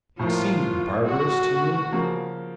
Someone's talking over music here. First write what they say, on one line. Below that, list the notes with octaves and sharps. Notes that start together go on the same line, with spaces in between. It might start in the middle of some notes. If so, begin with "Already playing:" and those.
It seemed barbarous to me.
A2 F3 A#3 F4
F#4
C#3 F3 A#3